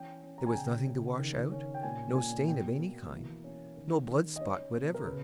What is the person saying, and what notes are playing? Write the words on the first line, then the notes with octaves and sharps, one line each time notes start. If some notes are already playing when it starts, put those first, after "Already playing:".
There was nothing to wash out--no stain of any kind--no blood-spot whatever.
Already playing: E3 C#4 G5
C#4
A#5
G#5
C#3 G5
C#3
D#3
C#4
G5
A#2 G#5
A#2 G#5
B2 G5
A#3
E3
C#4
D#3
D#3
D#5
C#4 C#5
B2
A#4
C#3 B4